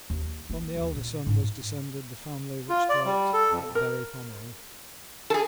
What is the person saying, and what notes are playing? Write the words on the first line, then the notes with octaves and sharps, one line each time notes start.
From the elder son was descended the family which dwelt at Berry Pomeroy.
D#2
A#3
D#2
A#2
G#2
F4
D5
G3
A4
F2
A#4
G#4 A4